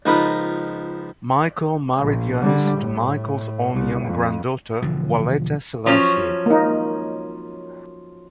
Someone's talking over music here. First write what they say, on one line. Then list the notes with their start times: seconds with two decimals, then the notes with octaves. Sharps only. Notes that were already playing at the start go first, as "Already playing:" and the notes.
Mikael married Yohannes to Mikael's own young granddaughter, Waletta Selassie.
0.06 C#2 F3 D#4 A#4 B4
1.98 A#1
2.41 D3 G3
2.77 A2
3.73 C2
4.04 F2
4.82 E1 D3 F3
5.86 F3 F#3 C#4
6.46 A#3 D#4